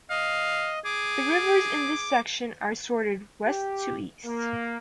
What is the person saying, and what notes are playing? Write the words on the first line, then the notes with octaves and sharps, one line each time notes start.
The rivers in this section are sorted west to east.
D#5 F5
G#4 D6
G4
A#3